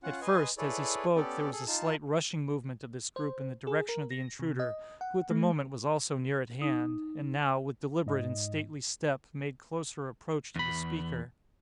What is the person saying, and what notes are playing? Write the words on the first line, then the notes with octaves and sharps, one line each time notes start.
At first, as he spoke, there was a slight rushing movement of this group in the direction of the intruder, who at the moment was also near at hand, and now, with deliberate and stately step, made closer approach to the speaker.
C#4 F4 F#5
B4 D#5 G#5 C6
E4 G#4 A4 B4 C#5 D5
B3 C#4 G4 A4 D5
G#4 A4
D#4 F4 A5
C5
G#4
A#4
A#6
C3
D#5
F#5
A3
D#4
G#2 D#5
E2 B5